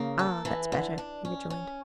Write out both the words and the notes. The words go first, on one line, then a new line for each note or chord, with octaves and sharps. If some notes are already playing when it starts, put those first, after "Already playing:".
"Ah! that's better," he rejoined.
Already playing: C#3 A#3
A4
E3
D3
D4
C#4
C#4